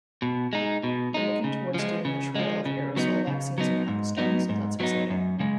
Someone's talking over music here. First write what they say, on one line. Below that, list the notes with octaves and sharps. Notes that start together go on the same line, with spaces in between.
We're looking towards doing a trial of aerosol vaccines in Pakistan, so that's exciting.
B2
G#3 D#4
B2
G#3 D#4
C#3
F3 G#3
C#3
F3 G#3
C#3
F#3 B3 D#4
C#3
F#3 B3 D#4
G#2
F#3 B3 D#4
G#2
F#3 B3 D#4
F#2
C#3 G#3